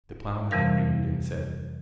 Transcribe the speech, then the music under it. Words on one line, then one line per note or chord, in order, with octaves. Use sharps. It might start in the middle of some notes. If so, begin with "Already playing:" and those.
The ploughman agreed and said.
F2 C3 E3 G3 A#4 F5